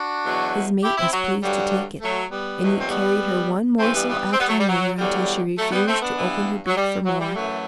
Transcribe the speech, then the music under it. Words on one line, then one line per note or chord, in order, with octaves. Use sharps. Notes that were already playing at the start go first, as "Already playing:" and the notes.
His mate was pleased to take it; and he carried her one morsel after another until she refused to open her beak for more.
Already playing: D4 F#4
E2 B2 F#3
E4 G4
C4 E4
F#3
G2 D3 F#3 G3
F#3 A3
G3 B3
E2 B2 F#3
C4
G3 B3
G2 E3 A3 C4
G3 B3
G3 B3
C4
G3 B3
F#3 A3
G3
F#3
E2 D3 F#3 G3
F#3 A3
G3 B3
A3 C4
B3 D4
G2 E3
F#3
G3
F#3
G3
F#2 E3 F#3 A3